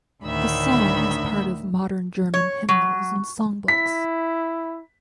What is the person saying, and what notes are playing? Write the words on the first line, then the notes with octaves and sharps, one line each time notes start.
The song is part of modern German hymnals and songbooks.
D2 A2 D3 D#3 E5 B5
C#5
F#3
E4 B6